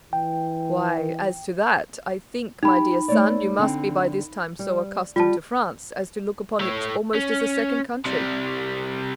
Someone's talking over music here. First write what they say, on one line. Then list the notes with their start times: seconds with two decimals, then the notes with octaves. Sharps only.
"Why, as to that--I think, my dear son, you must be by this time so accustomed to France as to look upon it almost as a second country."
0.13 E3 G5
2.63 D#4 G4 B5
3.08 A3 C#5 D5
3.59 D3 C4
4.59 G3
5.16 G3 F4 A5
6.60 A3 C#5
7.15 C#4
8.05 C3 G3